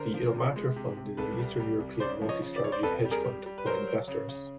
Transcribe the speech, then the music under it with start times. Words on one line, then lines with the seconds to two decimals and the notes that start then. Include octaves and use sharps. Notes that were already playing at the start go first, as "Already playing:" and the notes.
The Ilmatar Fund is an Eastern European multi-strategy hedge fund for investors.
Already playing: D3 A#4 C5
0.14 F3
0.35 C3
0.56 G#3
0.76 C3
0.97 C3
1.17 C2 A4 B4
1.39 G3
1.60 G3
1.80 C2
2.00 C#3 C5 D5
2.22 F3
2.29 C#5 D#5
2.42 C#3
2.56 D5
2.62 C#3 C#5
2.72 C5 D5
2.83 F2 A4 B4
3.05 G3
3.11 G#4 A#4
3.24 G3
3.46 G3
3.58 B4
3.66 F#3 A#4 C5
3.87 F#3
4.08 C#3
4.29 C#3